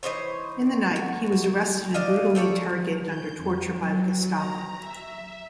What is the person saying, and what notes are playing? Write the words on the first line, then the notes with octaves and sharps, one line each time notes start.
In the night he was arrested and brutally interrogated under torture by the Gestapo.
E3 D#4 C5 C#5
F#4
E4
D4 D#5 F5
G4 A4 C#5 D5
G6
F2
F#3
A#5
E5